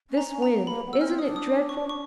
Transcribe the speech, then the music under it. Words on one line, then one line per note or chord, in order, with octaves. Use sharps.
This wind--isn't it dreadful?
C#4
A#5
C#4
B3 A#5
A#3
A#3 B5
B3
E6
C#4 F6
C4 E6
D#6
D4
D#6
D6
C#6
C#6